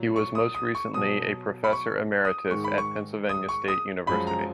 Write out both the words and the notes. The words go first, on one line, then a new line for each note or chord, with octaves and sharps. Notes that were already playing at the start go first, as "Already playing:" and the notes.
He was most recently a professor emeritus at Pennsylvania State University.
Already playing: A#2 F#3
C#6
D#6
D#6
C#6
B2 F#3 D#6
B5
C#6
D#6
G#2 D#3 G#3 C#6
B5
C#6
D#6
C#6
D#6
F#2 F3 G#3 B5
A#5